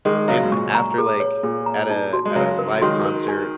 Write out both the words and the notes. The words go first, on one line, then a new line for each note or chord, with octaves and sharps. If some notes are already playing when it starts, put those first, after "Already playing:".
and after, like, at a at a live concert,
D#3 G#3 G#4
C#3 F#3 D#5
G#2
A#2 C#6
A#5
G#4
C#5
A#2 G#4
A#5
D#4
F#4
G#3
C#3 F#3 C#5
A#4
D#3 G#3 F#4
A#4
G#5